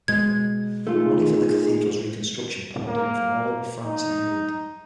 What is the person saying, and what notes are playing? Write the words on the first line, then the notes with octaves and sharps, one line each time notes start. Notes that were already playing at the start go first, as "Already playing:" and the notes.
Money for the cathedral's reconstruction poured in from all over France, and England.
B2 G#3 G#6
A3 D#4 F4 G#4
A#3
D#4